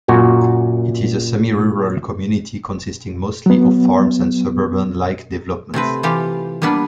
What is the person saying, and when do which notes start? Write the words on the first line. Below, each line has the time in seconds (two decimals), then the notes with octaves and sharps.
It is a semi-rural community consisting mostly of farms and suburban-like developments.
0.08 F#2 A#2 F#4
3.46 F#3 B3
5.74 C3 A3 C4 B4
6.03 E3 F4 G4 F5 G5
6.62 G3 A#3 B3 D4 B4